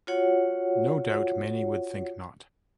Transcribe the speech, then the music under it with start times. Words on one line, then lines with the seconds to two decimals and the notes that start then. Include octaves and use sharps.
No doubt many would think not.
0.07 F4 F#4 C#5 F#5